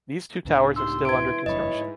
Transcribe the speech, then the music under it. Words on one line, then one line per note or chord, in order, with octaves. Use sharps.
These two towers are still under construction.
C#2 A2 D4
D#4 G4 C6 E6
E4 B4 E5 G#6 D7
F#1 E2 G2 C#5 D#5 B5
G#2